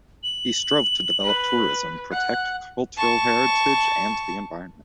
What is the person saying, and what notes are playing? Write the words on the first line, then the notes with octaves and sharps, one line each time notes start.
He strove to develop tourism, protect cultural heritage and the environment.
F#7
B4
F#5 F#6
A5 C#6